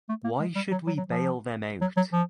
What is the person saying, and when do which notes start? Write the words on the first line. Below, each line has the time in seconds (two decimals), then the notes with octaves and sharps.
Why should we bail them out?
0.09 A3
0.24 A#3
0.40 G#3
0.55 G3
0.71 F#3
0.87 F#3
0.97 F#3
1.08 F3
1.81 F#3
1.97 F#3
2.13 F3